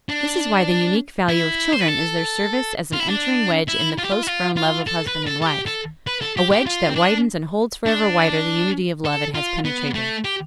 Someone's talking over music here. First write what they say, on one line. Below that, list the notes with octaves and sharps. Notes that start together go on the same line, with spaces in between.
This is why the unique value of children is their service as an entering wedge in the close-grown love of husband and wife, a wedge that widens and holds forever wider the unity of love it has penetrated.
D4
E4
C5
B4
A4
F4
E4
D4
E4
F4
G4
F4
E4
F4
F4
A4
B4
A4
A4
G4
A4
B4
A4
G4
G4
F4
C4
D4
D4
A4
F4
B3
A3
G4